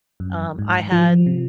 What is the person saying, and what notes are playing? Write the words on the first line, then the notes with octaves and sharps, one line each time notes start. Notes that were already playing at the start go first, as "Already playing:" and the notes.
um, I had
F#2
G#2
F3
C3